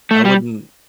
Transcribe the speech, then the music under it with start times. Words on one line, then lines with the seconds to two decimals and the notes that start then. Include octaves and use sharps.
I wouldn't
0.11 A3
0.25 G3